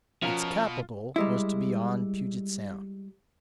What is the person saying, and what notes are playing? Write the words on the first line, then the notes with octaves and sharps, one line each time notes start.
Its capital was to be on Puget Sound.
B2 F3 C#4 F4 A#4
G3 G#3 E4